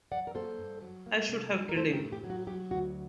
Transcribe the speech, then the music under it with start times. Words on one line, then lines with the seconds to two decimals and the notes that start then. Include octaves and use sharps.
I should have killed him!
0.11 F#3 D5 F#5
0.27 A#4
0.35 A#3 A4 C5
0.58 G2
0.82 F#3
1.06 A#3
1.29 C3
1.53 F#3
1.69 A#4
1.76 A3 A4 C5
1.93 G4 A#4
2.00 A2
2.12 G4
2.24 F#3
2.30 F#4
2.47 F#3 G4
2.70 D2 F#4